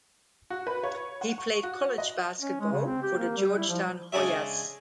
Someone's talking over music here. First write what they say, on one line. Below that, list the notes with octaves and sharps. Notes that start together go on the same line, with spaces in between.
He played college basketball for the Georgetown Hoyas.
F#4
B4
C#5
F#5
C#6
F#4
D#5
C#4
G#3
C#3
C4
G4
A#3
G3
E4
F3
C#3 G#3 D4 G#4 C#5 E5